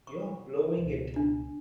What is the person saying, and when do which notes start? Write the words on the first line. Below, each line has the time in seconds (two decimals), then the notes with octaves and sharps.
You're blowing it!
0.07 C#6
0.77 C#2 B2
1.16 D4